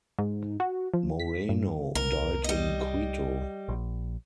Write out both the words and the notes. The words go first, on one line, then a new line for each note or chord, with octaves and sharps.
Moreno died in Quito.
G#2
F#4
F3
B6
G2
C2 A#4
G3 D#5
A#1